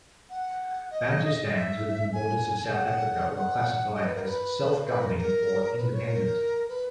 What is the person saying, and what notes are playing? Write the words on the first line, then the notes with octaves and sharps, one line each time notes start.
Bantustans within the borders of South Africa were classified as "self-governing" or "independent".
F#5
D#5
E5
G#5
F#5
F#5
D#5
B4
A#4
B4
B4
A#4
A#4
B4
C#5
A#4
B4